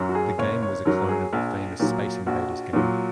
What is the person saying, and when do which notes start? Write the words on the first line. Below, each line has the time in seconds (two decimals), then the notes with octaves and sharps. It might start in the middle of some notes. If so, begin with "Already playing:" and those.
The game was a clone of the famous "Space Invaders" game.
Already playing: F#2 F#3
0.09 F#4
0.15 G#4
0.38 F#1 C#5
0.62 C#5
0.85 F#2 F#3 A#4
1.09 G#4
1.33 A#1
1.80 A#2 F#3
2.26 A#1 F#4
2.73 A#2 F#3